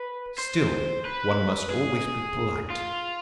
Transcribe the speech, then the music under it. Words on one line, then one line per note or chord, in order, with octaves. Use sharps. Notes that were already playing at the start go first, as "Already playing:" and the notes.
Still one must always be polite.
Already playing: B4
C5
B4
G#4
F4